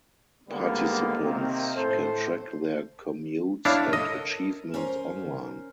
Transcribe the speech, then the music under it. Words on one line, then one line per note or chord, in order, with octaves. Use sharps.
Participants can track their commutes and achievements online.
D#2 D3 G3 G#3 A#3 B3
C3 D#3 A#3 C4
A2 A4 C5
D4 E4 C#5 F5
A4 A#4 D#5
C#4 A#4 C5